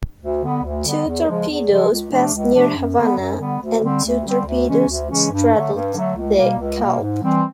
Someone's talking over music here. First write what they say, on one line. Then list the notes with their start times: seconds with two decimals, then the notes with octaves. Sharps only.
Two torpedoes passed near "Havana" and two torpedoes straddled "DeKalb".
0.20 D2
0.42 D3 G3 B3
0.64 D2
0.84 D3 G3 B3
1.06 E2
1.27 C#3 F3 G#3
1.48 E2
1.70 C#3 F3 G#3
1.90 C#2
2.11 C3 F3 A3 D4
2.33 C#2
2.54 C3 F3 A3 D4
2.76 F#2
2.96 D3 G3 B3
3.18 F#2
3.40 D3 G3 B3
3.60 D2
3.82 D3 G3 C4
4.04 D2
4.25 D3 G3 C4
4.45 D2
4.67 C#3 E3 G#3 C#4
4.88 D2
5.10 C#3 E3 G#3 C#4
5.31 G2
5.53 D3 F#3 A3
5.73 G2
5.94 D3 F#3 A3
6.16 C#2
6.37 B2 G3 A#3
6.59 C#2
6.80 B2 G3 A#3
7.00 G#2
7.22 E3 G3 C4